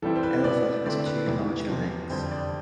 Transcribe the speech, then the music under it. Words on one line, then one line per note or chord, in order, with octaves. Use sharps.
Elva has two larger lakes.
E3 G3 C4 E4 A4
C5
B4
B2 B3 E4 D5
D3 A3 C4 E4 D5
B4
E2 C3 E3
E2 C3 F3
F2 D3 G3 C5
D5